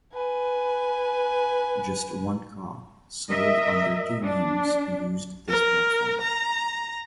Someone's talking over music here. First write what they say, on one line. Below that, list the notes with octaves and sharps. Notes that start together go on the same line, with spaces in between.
Just one car, sold under two names, used this platform.
B4 G#5
A#4 D#5 E5
D4
A#4
A#5